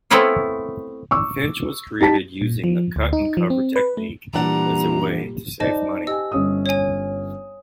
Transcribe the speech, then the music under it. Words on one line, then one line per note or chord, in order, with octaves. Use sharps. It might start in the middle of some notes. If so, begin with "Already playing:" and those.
Finch was created using the cut-and-cover technique as a way to save money.
A3 B3 C4 E4 F4 C#5
C#6 D6 E6
D#4 G4 A5 B6
A#2
F3
D2
D#4
F3
C4
B4
A3
A#2 E3 G3 D4 F#5 A#5
D#4 C5 D5 D#5 A5
G4 D#5 G#5 E6
G1 C#4 D#6
C#5 G#5